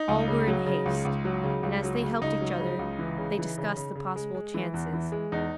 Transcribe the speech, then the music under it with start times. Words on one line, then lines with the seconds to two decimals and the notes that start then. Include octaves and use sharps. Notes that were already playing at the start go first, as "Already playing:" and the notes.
All were in haste; and as they helped each other, they discussed the possible chances.
Already playing: D#4
0.08 C#2
0.28 C#3
0.47 F#3
0.66 C#3
0.86 C#2
1.05 C#2
1.25 F#3
1.44 C#3
1.63 C#2
1.83 F#3
2.02 C#3
2.21 C#2 D#4
2.41 F#3
2.60 C#3
2.79 C#2
2.99 E3
3.18 C#3
3.38 E3
3.58 C#3
3.77 C#3
3.95 C#3
4.16 G#3
4.35 G#3
4.54 E3
4.74 E2
4.93 E3
5.12 G#3
5.32 E2 D#4